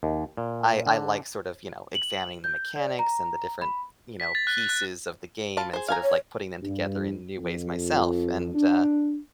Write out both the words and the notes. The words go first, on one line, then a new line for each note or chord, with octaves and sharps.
I I like sort of, you know, examining the mechanics and the different, you know, pieces of the game and sort of like putting them together in new ways myself, and, uh,
D#2
A#2
D3
F#7
G6
D5
A#5
B5
B6
A6
F#6
F#6
F4 A5 B5
G#4 C5
F5 G#5 A#5
C#5
G2
F2
D4